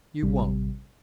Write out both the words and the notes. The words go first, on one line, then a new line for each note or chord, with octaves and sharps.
You won't.
A1 C3 G3